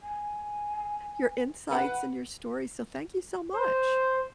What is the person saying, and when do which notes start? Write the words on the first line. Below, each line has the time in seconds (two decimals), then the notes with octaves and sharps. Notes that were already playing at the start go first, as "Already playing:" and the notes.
your insights and your story, so thank you so much.
0.02 G#5
1.71 B4 F#5
3.54 C5